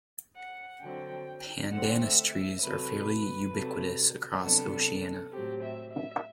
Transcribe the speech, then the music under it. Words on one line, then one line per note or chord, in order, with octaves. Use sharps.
"Pandanus" trees are fairly ubiquitous across Oceania.
F#5
D3 F#3 C4 G5
D3 A3 C4 F#5
E5
E5
C3 F#3 A3 B4
C3 F#3 A3
C3 F#3 B3 D4 A4
A2 F#3 C4 G4
E5
E5